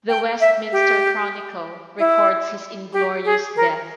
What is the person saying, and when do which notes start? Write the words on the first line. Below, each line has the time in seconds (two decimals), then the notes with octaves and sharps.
The Westminster Chronicle records his inglorious death.
0.09 G5
0.40 E5
0.72 G4
1.98 E4
2.93 G4
3.24 G#4
3.56 A#4